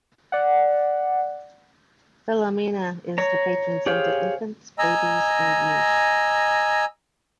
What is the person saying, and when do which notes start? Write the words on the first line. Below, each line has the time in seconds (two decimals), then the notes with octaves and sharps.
Philomena is the patron saint of infants, babies, and youth.
0.32 D5 F#5
3.18 C#5 A#5
3.86 G4 G#4 C5 C#5 F5
4.79 D#5 G#5 A#5 E6